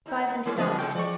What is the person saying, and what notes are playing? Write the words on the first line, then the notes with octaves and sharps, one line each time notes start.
"Five hundred dollars."
D#2 D#4
D#3 G#3 C#4
C#3 F3 C4 F#4 B4 D#5
C3 G#3 G5
F3 G#3 D5 C#6